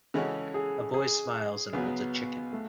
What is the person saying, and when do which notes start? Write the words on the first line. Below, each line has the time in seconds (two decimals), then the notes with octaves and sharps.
A boy smiles and holds a Chicken.
0.14 C#3 E3 G#3 C#4 F#4 A4
0.54 G#4
0.94 G#4
1.73 C#2 C#3 F#3 B3
2.53 A3